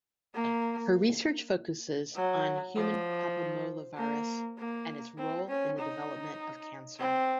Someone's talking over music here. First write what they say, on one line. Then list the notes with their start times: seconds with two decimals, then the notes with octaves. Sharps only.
Her research focuses on human papillomavirus and its role in the development of cancer.
0.35 A#3
2.15 F#3
2.76 F3
3.97 A#3
4.58 A#3
5.18 C4
5.49 C#4
5.79 D#4
7.00 C4